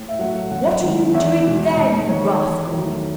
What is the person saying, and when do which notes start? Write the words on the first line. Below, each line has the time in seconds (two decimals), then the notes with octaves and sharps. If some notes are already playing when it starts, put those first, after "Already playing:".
"What are you doing there, you rascal?"
Already playing: A2
0.09 E5
0.19 F#3 A3 F#5
0.51 F#2 F#5
0.83 D#3 G#3
1.14 E2 E5
1.46 B2 G#3
1.77 G#2 D#5
2.09 D#3 A3 C#5
2.41 E2
2.72 D#3 F#3 A3